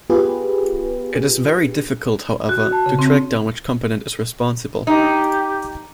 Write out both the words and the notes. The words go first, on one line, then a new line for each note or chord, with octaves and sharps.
It is very difficult, however, to track down which component is responsible.
B3 F4 G4 G#4 B4
F#4
A5
C#3
C4
D#4 G4